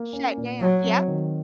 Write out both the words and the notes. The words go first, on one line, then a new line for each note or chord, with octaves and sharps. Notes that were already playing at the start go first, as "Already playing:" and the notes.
shut down Yep.
Already playing: A#3
C#4
A#2
F#3 F#4
C4
D#3